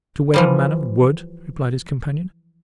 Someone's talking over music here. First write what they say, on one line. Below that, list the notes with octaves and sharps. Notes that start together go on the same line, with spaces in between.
"To wed a man of wood," replied his companion.
E3 F3 G3